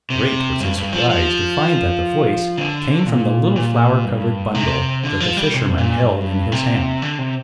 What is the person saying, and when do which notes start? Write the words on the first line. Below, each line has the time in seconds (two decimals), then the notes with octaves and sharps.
Great was his surprise to find that the voice came from the little flour-covered bundle that the Fisherman held in his hand.
0.10 C3
0.60 G2
0.77 G2
0.93 F3
1.10 F3
2.58 D3
3.06 A#2
3.56 A#2
4.05 G2
4.55 C3
5.04 D3
5.20 F3
5.37 G3
5.54 C3
5.70 G2
5.78 A#2
6.02 G2
6.52 C3
7.02 D3
7.18 C3